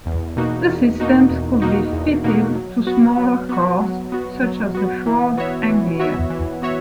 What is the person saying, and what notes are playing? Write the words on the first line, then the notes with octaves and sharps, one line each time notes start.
The systems could be fitted to smaller cars such as the Ford Anglia.
E2
B2 A#3 D#4 F#4
E2
B2 A#3 D#4 F#4
E2
B2 A#3 D#4 F#4
E2
B2 A#3 D#4 F#4
F#3
B3 F#4
F#3
B3 F#4
F#3
B3 F#4
F#3
B3 F#4
E3
B3 F#4 C#5 E5
E3
B3 F#4 C#5 E5
E3
B3 F#4 C#5 E5